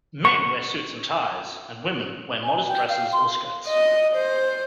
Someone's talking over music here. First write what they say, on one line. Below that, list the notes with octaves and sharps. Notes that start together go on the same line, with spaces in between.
Men wear suits and ties, and women wear modest dresses or skirts.
C#6
G#5
G5
F5
C6
D#5
C5